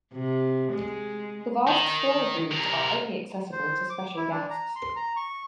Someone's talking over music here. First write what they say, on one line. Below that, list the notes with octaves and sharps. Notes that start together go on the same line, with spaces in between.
The vast storage rooms are only accessible to special guests.
C3
G#3
D#3
C3 A#4
C5
D6
E4
D4
A#5
C6
A#5
C#6